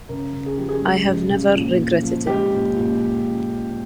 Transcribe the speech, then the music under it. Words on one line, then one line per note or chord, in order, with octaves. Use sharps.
I have never regretted it.
C#3 A#4
C#3
G#4
F3 G4
G#4
G#3
C#3
C#3
A#2
A#2
F3
G#3 G4
A#2
A#2